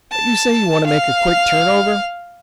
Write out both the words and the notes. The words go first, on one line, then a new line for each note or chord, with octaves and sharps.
But you say you want to make a quick turn-over?
A5
F5